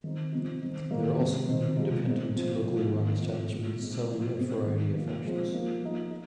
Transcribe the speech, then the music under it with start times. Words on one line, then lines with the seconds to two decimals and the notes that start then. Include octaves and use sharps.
There are also many independent, locally run establishments, selling a variety of fashions.
0.04 D#3 C4 D#4
0.33 C3 F3 C4 D#4
0.62 D#3 C4 D#4
0.91 D#3 A#3 D#4
1.20 C3 G#3 D#4
1.48 D#3 C4 D#4
1.77 F3 G#3 D#4
2.07 C3 G#3 D#4
2.35 A#2 F3 C4
2.64 F3 G#3 D#4
2.93 D#3 A#3 D#4
3.22 F3 C4 D#4
3.50 A#2 G#3 D#4
3.79 A#2 G#3 C4 D#4
4.09 F3 A#3 D#4
4.37 C3 G#3 C4 D#4
4.66 D#3 G#3 D#4
4.95 F3 A#3 D#4
5.25 F3 G#3 C4
5.53 F3 A#3 D#4
5.82 F3 A#3 D#4
6.11 D#4